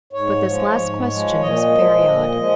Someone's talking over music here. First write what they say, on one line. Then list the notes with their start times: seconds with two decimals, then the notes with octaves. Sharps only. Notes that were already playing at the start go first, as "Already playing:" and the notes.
But this last question was very odd.
0.13 G#2 C#5
0.44 F3 G#3
0.77 G#2
1.09 F3 G#3
1.41 A#2 D#5
1.73 F3 G#3
2.06 A#2
2.36 F3 G#3